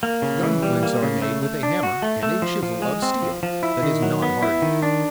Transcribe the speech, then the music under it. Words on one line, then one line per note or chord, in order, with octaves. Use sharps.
Gun-flints are made with a hammer, and a chisel of steel that is not hardened.
A#3
C#3
E3
G3
A#3
C#3
A3
A3
D4
F#4
A3
A3
F3
F3
G#3
C4
F3
F3
E4
D#3
F#3
B3
E4
D#3
D4